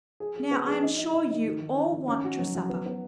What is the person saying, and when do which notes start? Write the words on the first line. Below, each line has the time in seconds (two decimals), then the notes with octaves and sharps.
"Now I am sure you all want your supper."
0.20 G#4
0.36 G#4
0.51 B3
0.67 G#4
0.83 D#4
0.98 D#4
1.14 D#4
1.30 D#4
1.45 D#3
1.60 D#3
1.76 D#3
1.92 D#3
2.08 C#4
2.24 F#4
2.39 F#3
2.55 F#3
2.70 B3
2.86 B3